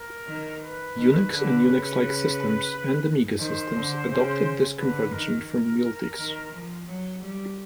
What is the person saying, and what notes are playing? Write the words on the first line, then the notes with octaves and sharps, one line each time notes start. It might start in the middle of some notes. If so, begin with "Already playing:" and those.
Unix and Unix-like systems, and Amiga systems, adopted this convention from Multics.
Already playing: A#4
D#3
B4
D#3
D3
C#3
D#3 C5
D3
C#3
D3 B4
D#3 A#4
D#3
F3
F#3
G3